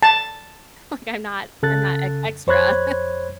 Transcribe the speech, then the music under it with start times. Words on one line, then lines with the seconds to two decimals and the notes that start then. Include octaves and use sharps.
like, I'm not I'm not ex extra,
0.03 A5
1.62 C2 C#3 A4 F#6 A6
2.47 F2 C5 C#5 B5 F#6 G#6